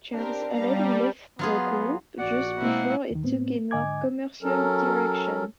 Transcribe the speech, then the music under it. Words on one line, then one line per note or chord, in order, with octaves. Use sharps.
Charles Allen left the group just before it took a more commercial direction.
C4 D4 G4 A#4
G3 B3 F5 A#5
F#3 B3 F4 G#4
A#1 F#4 D5 F#5
B2 G#3 A#3 C4 E4
D#2 D#3
A2 B3 C4
G#2 D3 D#5 G#5 D6 G#6
F#3 C#4 A4 A#4